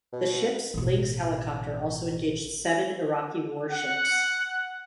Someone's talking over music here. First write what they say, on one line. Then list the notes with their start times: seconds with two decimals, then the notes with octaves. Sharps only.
The ship's Lynx helicopter also engaged seven Iraqi warships.
0.13 B2
0.74 A1 B2
3.71 F#5